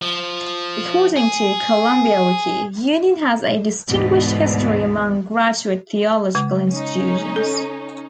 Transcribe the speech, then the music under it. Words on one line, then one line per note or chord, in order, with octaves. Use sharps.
According to Columbia Wiki, Union has a distinguished history among graduate theological institutions.
F3
G#4
D2 G#2 B2 E3
C#3 G#3
C#4 D#4
A4